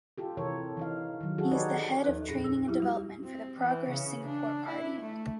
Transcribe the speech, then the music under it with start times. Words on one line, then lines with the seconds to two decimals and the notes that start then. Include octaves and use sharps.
He is the head of training and development for the Progress Singapore Party.
0.18 F4 G4 A4
0.37 C3 E3 A4 A#4 C#5
0.77 E3 D#4 F5
1.21 D#3 F#3
1.38 F#3 F#4 G#4 A4
1.51 D#4 G4 A4 B4 C#5 D5
2.04 D#2 F3 D#4 A4 B4 F#6
2.28 F2 A#2 C#4 G#4 A#6
2.44 E6
2.68 F#3 E4 G4
2.80 G3 F#4 G4
3.24 C4
3.60 E3
3.89 C#3
4.26 D4
4.67 E4
5.01 A3